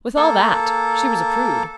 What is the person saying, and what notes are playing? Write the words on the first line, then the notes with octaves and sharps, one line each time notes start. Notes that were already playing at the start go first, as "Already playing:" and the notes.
With all that she was a prude.
A#3 A4